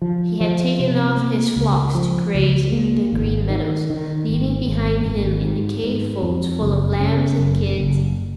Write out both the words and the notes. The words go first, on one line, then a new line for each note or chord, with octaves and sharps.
He had taken off his flocks to graze in the green meadows, leaving behind him in the cave folds full of lambs and kids.
F3
F3
C3
A#3
C#2
F3
C#2
A#3
G#1
D#3
D#3
G#1
G#1
G#1
G#2
G#2
F2
F#1
C#3
F#1
F#1